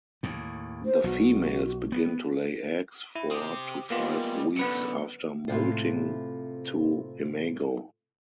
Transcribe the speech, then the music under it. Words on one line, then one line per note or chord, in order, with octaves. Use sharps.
The females begin to lay eggs four to five weeks after moulting to imago.
D#2 A2
C5
B1 F#4
B3
E4
C4 G4 D#6
G3 G#3 A#3 B3 F4
F#2 D3 B3 B4 C#7
A2 C3 F4